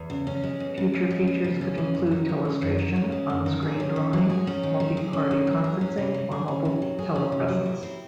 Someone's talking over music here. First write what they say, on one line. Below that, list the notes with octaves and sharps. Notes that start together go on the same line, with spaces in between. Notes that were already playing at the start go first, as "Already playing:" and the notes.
Future features could include telestration, onscreen drawing, multi-party conferencing or mobile telepresence.
Already playing: E2
C#3
C#4
G#3
E2
C#3
C#4
G#3
E2
C#3
C#4
G#3
F#2
D#3
C#4
G#3
F#2
D#3
C#4
G#3
F#2
D#3
G#4
C#4
D#3
F#3
G#4
C#4
D#3
F#3
G#4
C#4
D#3
F#3
G#4
C#4
C3
F#3
G#4
C#4
C3
F#3
G#4
C#4
C3
F#3
E4
C4